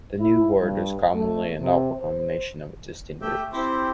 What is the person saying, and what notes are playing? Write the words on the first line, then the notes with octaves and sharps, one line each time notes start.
The new word is commonly a novel combination of existing roots.
E4
G2
A3
C3
C5
A3 G4 E5 G5
C4 E4 G4 C5